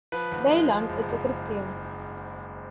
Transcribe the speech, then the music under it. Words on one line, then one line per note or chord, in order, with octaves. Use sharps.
Bailon is a Christian.
F3 B4
G#1
G#3
F3
F#1
F#1